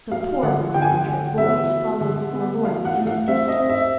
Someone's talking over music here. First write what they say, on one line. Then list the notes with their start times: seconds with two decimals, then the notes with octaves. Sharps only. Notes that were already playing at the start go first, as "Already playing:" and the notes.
The poor woman and her boys followed forlornly at a distance.
0.12 F#3 F5
0.43 D3 F#5
0.74 D3 G5
0.82 G#5
0.90 G5
1.06 D3
1.38 B3 E5
1.70 F#3
2.01 D3
2.33 B3
2.64 F#3 F5
2.85 F#5
2.96 A3
3.07 F5
3.28 C4 E5
3.48 D#5
3.59 C4
3.69 E5